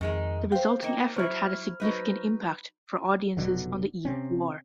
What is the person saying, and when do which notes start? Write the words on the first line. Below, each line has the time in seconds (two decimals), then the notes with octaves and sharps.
The resulting effort had a significant impact for audiences on the eve of war.
0.01 F2 D#3 G#3 D#4
0.52 C5 F5 G5
0.82 A#3 D#4
1.16 F#3 E4 C5 F6
1.80 F#3 D#4 B4
3.37 F1 B2 D3 F#3
4.05 C3 C4 C#4